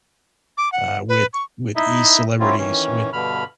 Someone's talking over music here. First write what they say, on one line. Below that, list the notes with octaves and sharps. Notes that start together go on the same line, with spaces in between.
uh, with with e-celebrities, with
D6
F#5
B4
C#6
D#4 E4 D#5 E5
F#3 A#3 C4 C#4 E4 F4
D#3 E3 C#4
G2 B2 D3 B5 F6